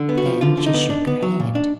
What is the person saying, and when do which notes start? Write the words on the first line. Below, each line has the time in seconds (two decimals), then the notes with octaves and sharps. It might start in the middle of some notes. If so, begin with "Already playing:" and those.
Then she shook her head.
Already playing: D3
0.09 B3
0.17 F#4
0.26 F3
0.41 D3 F4
0.57 D3
0.66 D#4
0.74 B3
0.90 D4
1.07 B3
1.22 F#3
1.40 A#2
1.55 D4